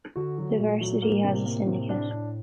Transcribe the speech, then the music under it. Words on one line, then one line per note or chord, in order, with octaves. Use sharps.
The varsity has a syndicate.
D3 F#4
F#3
A#2 A3
F#3
A2 A#3
C3
A#3
C3
D4
D4